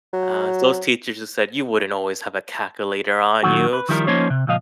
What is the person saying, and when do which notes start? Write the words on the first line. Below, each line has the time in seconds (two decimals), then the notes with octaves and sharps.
Uh, those teachers just said, "You wouldn't always have a calculator on you."
0.13 F#3
3.43 A#2 D#3 F#3 F#4
3.73 B4
3.89 D#3 F3 G3 E4 G4 A#4
4.07 F3 A#3 C#4 D#4 C5 C#5
4.30 C3
4.47 C#2 A#2 F3 D#5 F5